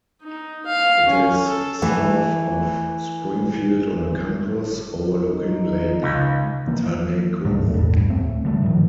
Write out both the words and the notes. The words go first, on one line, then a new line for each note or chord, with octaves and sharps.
It is south of Springfield on a campus, overlooking Lake Taneycomo.
D#4
F5
C#4
A4
E3 A3
D#4
C#2
E3 A#3
D2 G#2 A3
A1 E2 G2
D1 A3 C4
D3 G3 A3
G#2 D3 D#3 F3